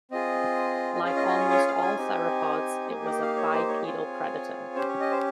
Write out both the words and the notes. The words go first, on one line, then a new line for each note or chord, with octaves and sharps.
Like almost all theropods, it was a bipedal predator.
C4 F4 G#4 D#5
D#5
C#4 F4 G#4 F5
D#5
D#5
C#5
C#5
F5
G#5
C4 D#4 G4
A#3 D#4 G4 G#5
G5
F5
C#5
C5
C#5
C4 F4 G#4 C#5
C#4 G4 C5
C#5
D#5
C5